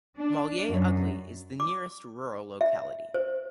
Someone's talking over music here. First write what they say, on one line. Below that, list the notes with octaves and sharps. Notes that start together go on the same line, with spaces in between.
Malye Ugly is the nearest rural locality.
D4
F#2
D6
E5
C5